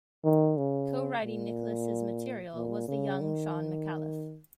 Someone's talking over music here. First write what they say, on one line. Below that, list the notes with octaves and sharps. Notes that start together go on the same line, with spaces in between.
Co-writing Nicholas's material was the young Shaun Micallef.
D#3
C#3
A#2
A#2
C#3
D#3